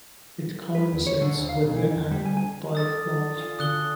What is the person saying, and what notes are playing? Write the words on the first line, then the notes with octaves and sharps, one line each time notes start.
It coincides with the annual Dyke March.
B4
E2
C#5
D3
D2
F5
B1
E3
F2
G3
G#5
G#5
A4 D5 D#6 F6 A6
F4 G#5
D3 D4 F#4 D#6 F#6 G7